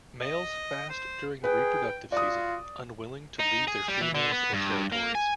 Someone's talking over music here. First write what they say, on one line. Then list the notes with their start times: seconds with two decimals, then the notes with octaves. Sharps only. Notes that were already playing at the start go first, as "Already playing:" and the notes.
Males fast during the reproductive season, unwilling to leave their females or territories.
0.21 D#5
0.89 C5
1.44 G#4 B4 G5
2.12 F4 F#4 D5 D#6
3.40 D#4
3.68 G#4
3.88 G3
4.01 E3
4.15 D3
4.32 B3
4.53 G2
4.92 A#3
5.15 G#5